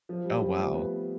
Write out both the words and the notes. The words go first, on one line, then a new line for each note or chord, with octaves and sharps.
Oh, wow.
F3
G3
F3
A3
B3